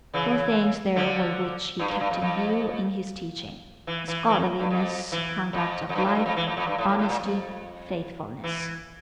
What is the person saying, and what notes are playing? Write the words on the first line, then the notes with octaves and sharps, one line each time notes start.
Four things there were which he kept in view in his teaching--scholarliness, conduct of life, honesty, faithfulness.
C#3 E3
D3 F3
G2
G2
G2
F2
F2
E3
E3
E3
F2
G2
F2
E3
F2
F2
G2
A2
G2
F2
E3
F2
F2
G2
A2
A2
A2
A#2
F2
E3